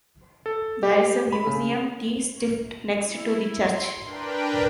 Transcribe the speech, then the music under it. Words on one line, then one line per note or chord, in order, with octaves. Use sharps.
There is a museum 't Stift next to the church.
A4
G4
B5
C#3
E4
C6
D4 A#4 B4 G5